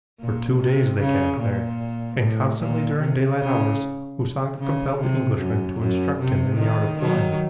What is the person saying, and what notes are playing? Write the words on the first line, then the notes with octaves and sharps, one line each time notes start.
For two days they camped there, and constantly during daylight hours Usanga compelled the Englishman to instruct him in the art of flying.
A#2
C3
C#3
A#2
A2
A#2
C3
C#3
C#3
C3
F#2
F#2
C3
D#3
D#3 F#3